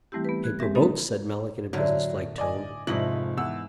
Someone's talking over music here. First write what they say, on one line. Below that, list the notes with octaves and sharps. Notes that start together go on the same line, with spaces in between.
"Paper boats," said Melick, in a business-like tone.
E3 G3 A3 C4 E4 G4
B3 B4
F#6 G#6
G#3 C4 G4 G#4 E5 A#6
A#3 C4 C#4 D#4 F#4 A4
A2 D3 F#3
D5 D#5 G#5
F1 G#2 F3 E4 D#5 F#7
E2 F#5 E6